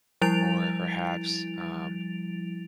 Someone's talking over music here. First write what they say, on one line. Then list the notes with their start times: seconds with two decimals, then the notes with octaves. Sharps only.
or perhaps, um
0.21 F3 G3 E4 A6 D7 F7